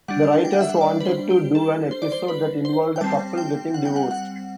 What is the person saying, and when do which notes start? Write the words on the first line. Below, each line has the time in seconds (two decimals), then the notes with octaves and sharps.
The writers wanted to do an episode that involved a couple getting divorced.
0.08 G3 D4 F#5
0.45 G5
0.53 F#5
0.61 E5
0.69 F#5
0.81 D5
1.00 B4
1.05 C5
1.30 G4
1.55 A4
1.91 C5
2.02 D5
2.12 C5
2.28 B4
2.65 C5
2.96 G5
3.01 G3 C4 A5
3.38 G5
3.74 F#5
3.85 G5
3.96 F#5
4.11 F#5